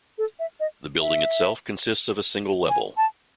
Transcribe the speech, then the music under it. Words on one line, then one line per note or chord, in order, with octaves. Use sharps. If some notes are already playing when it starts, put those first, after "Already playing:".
The building itself consists of a single level.
A4
E5
D#5
E5
G#5
A5